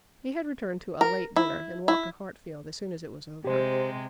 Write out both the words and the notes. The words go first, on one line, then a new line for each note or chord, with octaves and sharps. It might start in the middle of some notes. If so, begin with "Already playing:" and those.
He had returned to a late dinner, and walked to Hartfield as soon as it was over.
A#4
E4
E4
C3 G#3 C4 G4 C5